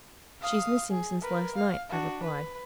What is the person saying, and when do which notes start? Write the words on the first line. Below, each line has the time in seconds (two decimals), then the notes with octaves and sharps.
"She's missing since last night," I replied.
0.41 F5 D#6
0.91 G#4
1.21 A#4 B4
1.56 F5
1.89 D4 F#4
2.23 B4